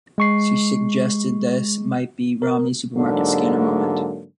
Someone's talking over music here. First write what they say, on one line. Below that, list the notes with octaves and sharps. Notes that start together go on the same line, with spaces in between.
She suggested this might be Romney's supermarket scanner moment.
G#3 C#6 C7
A#4
G#2 D3 F#3 G#3 A#3 D4